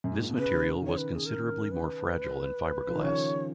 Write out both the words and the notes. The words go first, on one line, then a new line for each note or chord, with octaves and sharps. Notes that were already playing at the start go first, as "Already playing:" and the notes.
This material was considerably more fragile than fiberglass.
F#2
G#2
A#2
B2
C#3 B4
D#3 C#5
B4
G#4
A#4
B4
F3
D#3
C#3 C#5